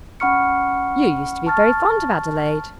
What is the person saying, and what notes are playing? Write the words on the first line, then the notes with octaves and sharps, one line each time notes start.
"You used to be very fond of Adelaide."
C#4 F#5 B5 C#6 F6 C#7
A5 C#6 F6 A6